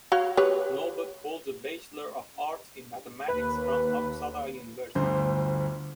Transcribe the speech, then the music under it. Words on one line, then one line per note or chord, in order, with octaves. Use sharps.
Norberg holds a Bachelor of Arts in mathematics from Uppsala University.
F#4 C#5 F5
G4 B4 C#5
D#2 B4
G1 D2 C5